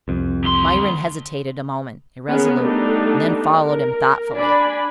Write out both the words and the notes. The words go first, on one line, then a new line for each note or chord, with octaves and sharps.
Myrin hesitated a moment, irresolute, and then followed him thoughtfully.
C2 F2
D2 C6
B3 C#4 G#4 A#4
G3 A3 B3 D4 D#4
A#4
D4 D5 G#5 B5